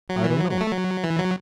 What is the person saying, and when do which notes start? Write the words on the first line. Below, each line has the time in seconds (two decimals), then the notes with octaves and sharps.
"I don't know."
0.09 F#3
0.24 E3
0.40 F#3
0.51 F#3
0.61 A3
0.71 F#3
1.04 E3
1.18 F#3